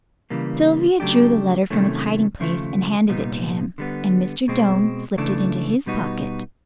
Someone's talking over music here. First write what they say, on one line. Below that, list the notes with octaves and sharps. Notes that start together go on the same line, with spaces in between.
Sylvia drew the letter from its hiding-place and handed it to him, and Mr. Doane slipped it into his pocket.
C#3 E3 G3 A#3
C#3 F#3 A3 D4 G4
C3 D#3 F#3 A3 C#4
D#2 C#3 F3 A3
C2 A#2 G3 B3 D#4
D3 G3 B3
B2 G#3 C4
C#2 C#3 E3 A3 D4
B2 G3 B3 D#4 F#4